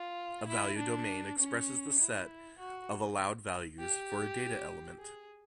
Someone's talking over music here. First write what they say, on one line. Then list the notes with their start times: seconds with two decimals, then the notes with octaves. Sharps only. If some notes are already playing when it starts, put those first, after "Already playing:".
A value domain expresses the set of allowed values for a data element.
Already playing: F4
0.48 E4
0.78 D4
1.39 C#4
1.99 E4
2.59 F#4
3.79 G4
4.99 G#4